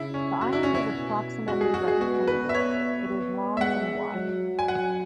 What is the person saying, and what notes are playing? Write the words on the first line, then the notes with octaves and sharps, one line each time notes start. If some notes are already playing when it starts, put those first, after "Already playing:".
The island is approximately rectangular; it is long and wide.
Already playing: C#3 E4
C#4
C#3 F#4
E4
C#4
E4
B2
G#3 F#4
G#4
F#4
G#4
B3 F#4
B4
E5
C#5
B3
E5
G#3 F#5
F#3
G#5
F#5